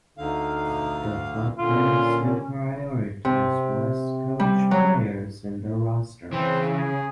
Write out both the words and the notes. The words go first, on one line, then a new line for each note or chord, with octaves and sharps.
The club plans to prioritize West coach players in their roster.
D2 D3 D#4 F5
A#2 D3 C#4 F4
C3
G3
F#3
C#3 E3 C4
G#4